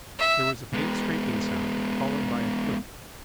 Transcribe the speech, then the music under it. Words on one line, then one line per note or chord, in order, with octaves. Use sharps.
There was a faint scraping sound, followed by a click.
E5
G#3 B3